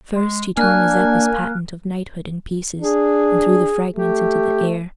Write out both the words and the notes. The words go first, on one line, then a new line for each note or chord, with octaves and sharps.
First, he tore Mazeppa's patent of knighthood in pieces, and threw the fragments into the air.
G#3
A#3 D4 G#5 F6 F#6
D4 G#4
A3 G4